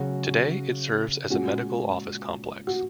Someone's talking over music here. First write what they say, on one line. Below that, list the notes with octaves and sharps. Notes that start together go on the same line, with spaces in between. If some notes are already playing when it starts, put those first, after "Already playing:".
Today it serves as a medical office complex.
Already playing: C#3 F#3 C#4 F#4
A#2 G#3 C#4 F#4
F#4